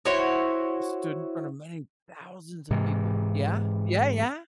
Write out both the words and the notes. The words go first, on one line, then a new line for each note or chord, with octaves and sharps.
stood in front of many thousands of people. Yeah? Yeah, yeah?
E4 F#4 C5 C#5
G#2 C3 E3